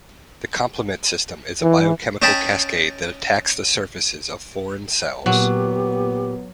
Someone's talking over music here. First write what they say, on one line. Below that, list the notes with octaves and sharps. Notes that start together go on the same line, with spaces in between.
The complement system is a biochemical cascade that attacks the surfaces of foreign cells.
E3
C#4 C#5 D#5 G5 A5 B5
A#2 F#3 B3 G4